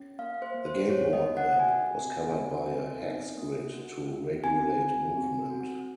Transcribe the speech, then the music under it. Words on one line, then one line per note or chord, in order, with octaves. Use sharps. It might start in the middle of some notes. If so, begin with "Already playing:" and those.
The game board map was covered by a hex grid to regulate movement.
Already playing: C#4
A#3 F5
C5
A#3
C5
A#3 C#5
D#5
A#3
F#5
F#4 G#5
C4
F#4
C4
D#4
A#3
F#4
A#3
C4 G#5
F#4
C4
F#4